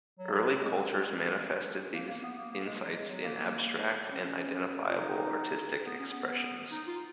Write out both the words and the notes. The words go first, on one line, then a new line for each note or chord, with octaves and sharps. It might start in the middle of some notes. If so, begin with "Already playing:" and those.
Early cultures manifested these insights in abstract and identifiable artistic expressions.
F#3
G#3
A#3
A#3
B3
A#3
A#3
G#3
F#3
G#3
F#3
A#3
C#4
F4
D#4
B3
C#4
B3
D#4
F4